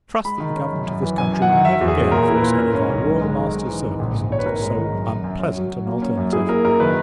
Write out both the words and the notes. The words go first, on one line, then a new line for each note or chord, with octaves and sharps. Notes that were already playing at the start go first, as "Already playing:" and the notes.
I trust, that the government of this country will never again force any of our Royal Master's servants to so unpleasant an alternative.
G#3 B5
D#3
C#4
F#2
F#2
E3
F#2 G#5
F#2
F#5
D#3
F#3 E5
E2
G#4
C#4
A#2 A#4
E4
B4
A#2
C#4 A#4
C#4
B1
G#2
G#3
D#3
G#2
E3
G#1
A#1
A#1
A#1 C#5
B4
G#1 A#4
G#3
D#3
F#2
F#2
F#2
C#4
F#3
F#3
A#3
C#4
F#2
E4 G#4
A#3 A#4
F#2 A#4
D#3 B4